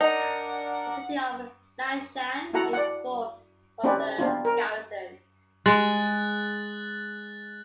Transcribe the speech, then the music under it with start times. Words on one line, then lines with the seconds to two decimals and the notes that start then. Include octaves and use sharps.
The city of Liangshan evolved from the garrison.
0.01 D4 D#4 A#4 F#5
2.53 E4 F#4 A4 F#5 A#5
2.73 D5 F#5
3.84 C4 C#4 D#4 G4 B4 D5
4.18 B3 C4 D4 F4
4.45 A#4
5.66 G#3 F#6 A6 F#7